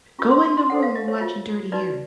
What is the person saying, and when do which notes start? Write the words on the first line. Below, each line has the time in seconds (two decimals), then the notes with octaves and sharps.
"Go in the room, we're watching Dirty Harry."
0.19 C#4 F4 A#4 C#5 C#6
0.31 C6
0.44 C6
0.57 C6
0.69 F4 A4 C5 F#5
0.82 F5
0.95 D#5
1.08 C#5
1.21 F4 A#4 C#5
1.72 D#4 F#4 B4 D5